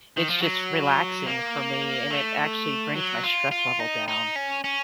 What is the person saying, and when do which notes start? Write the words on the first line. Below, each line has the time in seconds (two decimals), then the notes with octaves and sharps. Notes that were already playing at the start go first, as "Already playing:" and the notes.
it's just relaxing for me and it actually brings my stress level down,
0.17 D#3
0.30 F3
0.42 F#3
1.26 A#3
2.11 A3
2.95 F#3
3.23 F4
3.51 F4
3.80 D#4
4.08 D#4
4.36 C#4
4.64 C#4